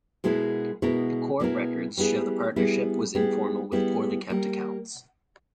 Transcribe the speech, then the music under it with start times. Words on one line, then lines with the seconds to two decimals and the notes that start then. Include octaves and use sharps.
The court records show the partnership was informal with poorly kept accounts.
0.24 B2 G#3 B3 E4 A#4
0.82 B2 G#3 B3 E4 A#4
1.40 B2 G#3 B3 E4 A#4
1.97 G3 B3 E4 G#4
2.56 G3 B3 E4 G#4
3.15 G3 B3 E4 G#4
3.72 G3 B3 E4 G#4
4.30 G3 A#3